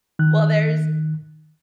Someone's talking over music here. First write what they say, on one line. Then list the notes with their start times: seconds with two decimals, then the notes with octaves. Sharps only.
Well, there's
0.19 D#3 F#6